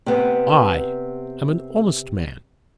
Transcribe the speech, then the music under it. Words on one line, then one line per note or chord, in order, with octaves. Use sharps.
I am an honest man.
C3 B3